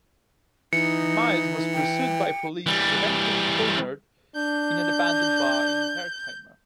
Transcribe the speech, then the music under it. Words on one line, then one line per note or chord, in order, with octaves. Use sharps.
Myers was pursued by police and eventually cornered in an abandoned bar in Herkimer.
E3 D#4 C#7
G5
E3 G3
D4 G6